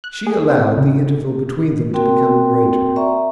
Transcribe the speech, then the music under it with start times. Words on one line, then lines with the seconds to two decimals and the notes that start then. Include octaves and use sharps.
She allowed the interval between them to become greater.
0.04 F#6
0.27 G#4
0.50 C4
0.77 C#3
1.93 A#3 C4 F#4 A#4 G5 C6
2.96 D5 E5 A#5 C#6